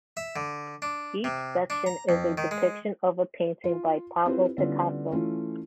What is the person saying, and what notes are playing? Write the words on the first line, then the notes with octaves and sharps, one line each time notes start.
Each section is a depiction of a painting by Pablo Picasso.
E5
D3
D4
C3
D4
A#5
F2
D#3
G#3
F4
C4 E4 F4 G4 B4 C5
D3 G3 B3 C#4 E4 F4
E3 A3 C#4 E4 F4